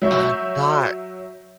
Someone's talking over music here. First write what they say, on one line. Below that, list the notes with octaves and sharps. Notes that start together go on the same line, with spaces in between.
Uh, not,
F#3 E5 C#6 G6